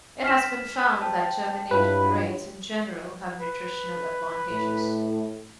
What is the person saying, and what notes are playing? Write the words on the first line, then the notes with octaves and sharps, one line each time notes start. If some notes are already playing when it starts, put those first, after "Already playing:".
It has been found that germinated grains in general have nutritional advantages.
F6 B6 E7
C5 G5 A5
G2 F#3 E4 F4 B4
B4
A2